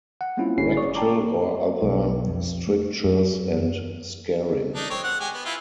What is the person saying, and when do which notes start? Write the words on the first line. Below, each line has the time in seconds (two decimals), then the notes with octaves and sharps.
Rectal or other strictures and scarring.
0.21 F#5
0.37 G3 A#3 C4 C#4 E4 F4
0.58 G1 C#4 D4 E4 C7
0.77 G#4 C#5 D5 C#6
0.95 G5 A5 A#5 D6
1.82 B1
2.27 F2
2.67 A3
3.04 F#2
4.75 D4 D#4
4.90 C4 C#5
5.04 F#5
5.20 G#3 G4 G#5
5.34 B3
5.45 E4 F4